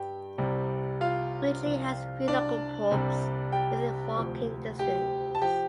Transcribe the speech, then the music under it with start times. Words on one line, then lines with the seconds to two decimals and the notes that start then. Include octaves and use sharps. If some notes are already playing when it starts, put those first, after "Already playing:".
Widley has three local pubs within walking distance.
Already playing: G2 G4 G5
0.38 C2 C3 G3
1.01 F4 F5
1.64 C2 C3 F3
2.28 D4 D5
2.91 C2 C3 G3
3.52 G4 G5
4.16 D2 C3 F3
4.79 G4 G5
5.35 A5
5.41 F3 G4 G5